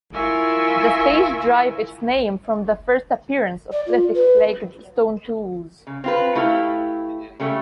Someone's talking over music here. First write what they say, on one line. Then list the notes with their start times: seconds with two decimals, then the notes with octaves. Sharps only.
The stage derived its name from the first appearance of Lithic flaked stone tools.
0.14 E4 F4 A#4 E5 G#5 C#6
3.72 D5
3.87 F4
4.15 B4
5.87 C#3
6.04 C4 F4 B4
6.35 A3 E4 G4 F5
7.40 C#3 G3 A3